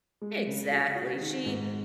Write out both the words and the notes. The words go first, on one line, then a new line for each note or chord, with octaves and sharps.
Exactly. She,
G#3
C#3
F#4
F#4
D#3
G#2